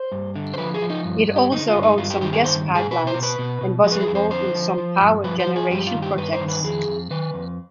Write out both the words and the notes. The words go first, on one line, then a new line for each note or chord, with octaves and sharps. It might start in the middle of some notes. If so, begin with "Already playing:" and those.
It also owned some gas pipelines and was involved in some power generation projects.
Already playing: C5
G2
D3
C5
F3 B4
G#4
F3
D#4
G2
G2
G4
D3 D#4
F4
G2
D#4
G2 F4
G4
D#3 G4
G#4
G2 C5
G2
G#4
B2 B4
C5
B2
B4
B2
B2
F3 G#4
B4
G#4
F2
C5
D3 C5
F3
F3
G2
F3 B4
C5
F3
G#4
G2 G4
F4
D#3
G4
G2 B4
C5
D#3
B4
F2 G#4
F2
D#3 B4
F2